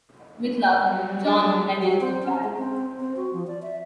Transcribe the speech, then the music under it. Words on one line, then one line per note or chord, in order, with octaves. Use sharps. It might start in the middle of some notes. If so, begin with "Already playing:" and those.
With love, John Lennon of Bag.
F#3 G3
D4
F#3
C4
C#4
G#3
C4
C4
F#4
F3
D5
E5